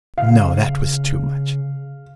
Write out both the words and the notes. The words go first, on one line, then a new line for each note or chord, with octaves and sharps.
No, that was too much!
C#3 F5